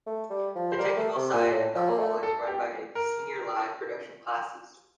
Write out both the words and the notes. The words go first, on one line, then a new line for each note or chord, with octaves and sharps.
The technical side of the hall is run by the senior live productions classes.
A3
G3
F3
C5
G3 A#4
A3
C3
A#2
A2
F3
A#3
A3
A4
G4
A#4